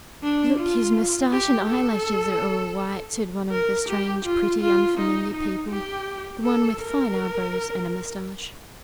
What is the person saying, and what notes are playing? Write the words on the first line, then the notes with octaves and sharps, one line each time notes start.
"Look, his mustache and eyelashes are all white!" said one of the strange, pretty, unfamiliar people--the one with fine eyebrows and mustache.
D4
F4
G4
A4
A#4
G4
F4
F4
D#4
D#4
G4
A4
A#4